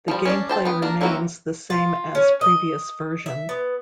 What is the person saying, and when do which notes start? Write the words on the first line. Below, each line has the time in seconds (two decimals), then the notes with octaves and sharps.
The gameplay remains the same as previous version.
0.08 F3 G3
0.25 C#4 D4 D5
0.49 C5 G5 A5
0.65 B3 G5
0.82 A#3 D4 A#4
1.01 F#3 A#3 C4 E4 F#4
1.70 F4
2.15 C#4
2.41 D#5
3.26 E5
3.49 B3